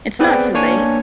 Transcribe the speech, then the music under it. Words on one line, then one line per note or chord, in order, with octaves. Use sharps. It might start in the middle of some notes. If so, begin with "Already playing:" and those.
It's not too late.
B3 C4 G#4 B4 D5 G5
A#3 D4 C#5 G#5